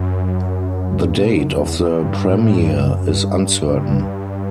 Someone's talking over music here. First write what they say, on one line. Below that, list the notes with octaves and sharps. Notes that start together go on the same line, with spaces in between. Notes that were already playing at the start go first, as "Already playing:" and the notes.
The date of the premiere is uncertain.
Already playing: F#2
G2
B2
F#2
E2
E2
G2
A2
G2
F#2
G2
G2